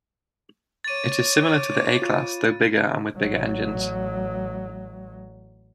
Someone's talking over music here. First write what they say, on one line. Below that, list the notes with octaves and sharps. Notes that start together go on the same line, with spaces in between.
It is similar to the A-Class, though bigger and with bigger engines.
C#5 D6 A6 D#7
F4
A1 F#3